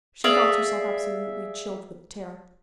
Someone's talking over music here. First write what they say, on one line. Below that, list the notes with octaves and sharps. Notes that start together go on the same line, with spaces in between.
She felt herself absolutely chilled with terror.
G#4 D5 E5 F5